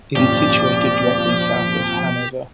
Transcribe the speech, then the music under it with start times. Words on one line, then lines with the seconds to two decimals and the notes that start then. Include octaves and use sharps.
It is situated directly south of Hanover.
0.16 D#1 G#1 F3 C#4 G4 D5